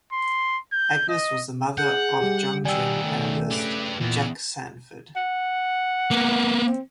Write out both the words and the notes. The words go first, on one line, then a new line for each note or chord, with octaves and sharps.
Agnes was the mother of Jungian analyst Jack Sanford.
C6
G6
D#5
G#4 F#5 G6
G3 G4
D#3 G3 B3 G4 D5 G5 G#5 E6
C#3 A3
G4 B4
A#2 E3 B3
F#5
A#3 B3
C4